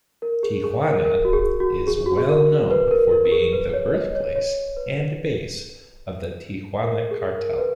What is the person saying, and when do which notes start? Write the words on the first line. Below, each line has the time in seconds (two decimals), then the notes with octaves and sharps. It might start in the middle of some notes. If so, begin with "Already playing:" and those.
Tijuana is well known for being the birthplace and base of the Tijuana Cartel.
0.22 A#4
0.43 G#4
0.64 G#4
0.84 A#4
1.05 A#4
1.25 F#4
1.33 G#4
1.60 F#4
1.87 G#4
2.06 F#4
2.17 G#4
2.29 A#4
2.71 B4
2.91 A#4
3.11 A#4
3.25 A#4
3.32 G#4
3.53 B4
3.73 C#5
3.94 D#5
4.15 C#5
4.36 C#5
4.77 B4
6.83 A#4
7.11 G#4
7.38 A#4
7.58 B4